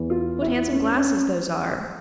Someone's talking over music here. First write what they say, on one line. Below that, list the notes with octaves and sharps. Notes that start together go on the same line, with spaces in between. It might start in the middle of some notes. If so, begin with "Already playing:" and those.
What handsome glasses those are!
Already playing: E2 E3
F4
E4
C#4
C#4